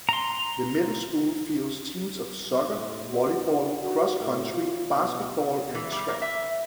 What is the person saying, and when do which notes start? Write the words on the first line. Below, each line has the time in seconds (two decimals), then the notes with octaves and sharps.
The Middle School fields teams of soccer, volleyball, cross-country, basketball, and track.
0.09 A#5 C6
2.66 A2
3.10 F#4
3.53 D4
3.83 F#4
4.20 A2
4.53 F4
4.94 B2
5.75 E3
5.92 G3
6.08 A#3
6.22 E5